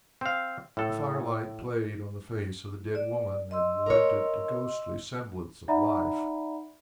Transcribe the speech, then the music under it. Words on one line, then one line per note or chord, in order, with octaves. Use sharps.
The fire-light played on the face of the dead woman and lent it a ghostly semblance of life.
C4 F5
A2 A4
D5
D#5 C6 E6
A#4 C#5
D#4 D5 E5 F#5 A#5 B5